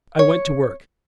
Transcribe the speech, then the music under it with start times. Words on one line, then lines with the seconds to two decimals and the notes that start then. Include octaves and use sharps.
I went to work.
0.19 C#5